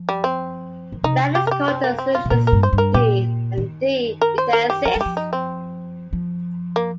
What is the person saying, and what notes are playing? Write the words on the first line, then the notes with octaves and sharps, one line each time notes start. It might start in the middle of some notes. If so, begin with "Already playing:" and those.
Let us call the solutions "d" and "d", if they exist.
Already playing: F3
G3
C4
D#3
C3 D#4
G4
A#4
G4
C4
A#3
C4
F4
C3
A#2 A#4
A#4
G2
C5
G2
A#4
A#2 G4
D#3
A#4
C5
A#4
G4
F3 A#4
G3
G4
F3
D#4
C4
F3
A#3